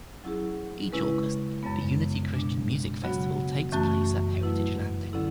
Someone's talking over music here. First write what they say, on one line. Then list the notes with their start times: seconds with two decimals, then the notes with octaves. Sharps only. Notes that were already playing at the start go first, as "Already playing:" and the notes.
Each August, the Unity Christian Music Festival takes place at Heritage Landing.
0.24 F#3 C#4 E4 G#4
0.93 C#3 G#3 C#4 E4 B4
1.63 F#2 C#3 G#3 B3
2.33 B2 G#3 D4
3.02 C#3 F#3 B3 F#4
3.72 F#2 E3 A3 C#4 F#4
4.43 F#3 A3 E4 B4
5.13 D3 F#3 C#4 E4 A4